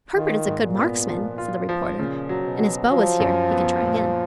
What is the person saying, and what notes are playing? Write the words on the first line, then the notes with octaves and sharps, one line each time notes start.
"Herbert is a good marksman," said the reporter, "and his bow is here. He can try again."
D#3 F4
G#2
A#2
B3
F3
F4
F3
A#2 C#3
F#3
B2
F#3
F3 F#3
F#2
B3
A#2